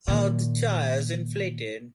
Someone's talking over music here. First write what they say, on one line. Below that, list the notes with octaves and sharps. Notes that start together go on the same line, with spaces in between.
Are the tyres inflated?
A#2 D#3